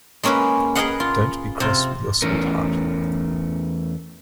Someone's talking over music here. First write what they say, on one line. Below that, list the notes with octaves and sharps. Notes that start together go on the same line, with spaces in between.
Don't be cross with your sweetheart.
G#3 A#3 C#4 A#4 B4
G#4 A#4 B4 D#5 F5 F#5
F4
C3 F4
E2 A3 C#4 A#4